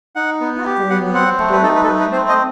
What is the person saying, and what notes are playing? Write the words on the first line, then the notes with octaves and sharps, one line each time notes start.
"Not very well," the boy replied.
D#4 F#5
B3
G4
B3 F#5
C4 F#5
A3
B4
D#4 A4
B4
A4
A3 B4
B4
C4 C5
D#5